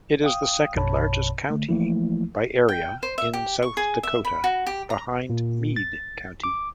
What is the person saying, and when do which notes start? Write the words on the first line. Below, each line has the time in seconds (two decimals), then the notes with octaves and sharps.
It is the second-largest county by area in South Dakota, behind Meade County.
0.24 F5 G5 D#6
0.75 A#1 F#2 B2 C#5 A5 B5
1.50 D3 A3
1.69 E3 F3 A3 A#3 E4
2.69 G5
3.03 C5
3.18 E5
3.34 G4
3.63 C#6
3.77 G#4
4.03 E5
4.25 B5
4.44 F#4
4.67 G4
4.90 A#5
5.30 A#2
5.76 A6
6.44 D6